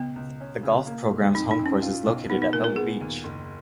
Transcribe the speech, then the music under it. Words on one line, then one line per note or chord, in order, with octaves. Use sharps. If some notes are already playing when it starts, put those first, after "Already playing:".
The golf program's home course is located at Pebble Beach.
Already playing: C#2 B3
C#2
C#4
C#3
A#3
F#1
F2 D#4
D#4
F2
C#4
F4
B1
B3 D#4
D#4
A#2 A#4
A#4
B3 G#4
D#2
F#1